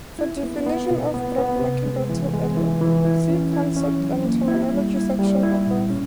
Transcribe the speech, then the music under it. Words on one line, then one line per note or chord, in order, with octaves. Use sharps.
For definition of Broad Market Rental Area, see Concepts and terminology section above.
E4
B3
B3
B2
B3
B3
C3
G#3
E3
G#3
E3
E3
E4
C#4
E4
C#4
F#3
A#3
E4
G3
E4
G3
E4
A#2
C#4